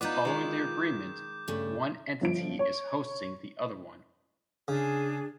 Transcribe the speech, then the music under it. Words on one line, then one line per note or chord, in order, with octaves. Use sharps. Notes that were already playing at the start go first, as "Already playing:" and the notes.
Following the agreement, one entity is hosting the other one.
B3 D#4 F4 B4 D5 D6 G6
D#3 G#3
G2 C#3 A3
G1 F3 D7
C#5
C#3 D4 G#4 G#5